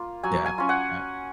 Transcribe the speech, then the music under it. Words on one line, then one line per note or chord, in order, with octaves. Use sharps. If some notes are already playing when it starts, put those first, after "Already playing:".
Yeah, yeah.
Already playing: A#3 F4
F#3 G#5
G#5
C#4 F4
F#5